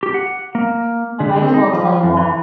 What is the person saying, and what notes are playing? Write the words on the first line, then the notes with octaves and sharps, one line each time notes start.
I might as well tell you all.
G4
F#5
A#3
D3
C4
D#4
F3
F2
E3